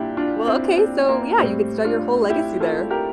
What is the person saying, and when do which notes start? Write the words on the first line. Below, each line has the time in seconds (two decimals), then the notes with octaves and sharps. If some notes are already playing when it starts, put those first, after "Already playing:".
Well, okay, so, yeah, you could start your whole legacy there.
Already playing: A#2 G3 D4 E4 G4
0.17 D4 F4
0.47 C4 E4
0.78 C4
1.09 A#3
1.38 A2 G3 C4
1.84 D4 F4
2.30 E4 G4
2.60 F4 A4
2.90 G4 A#4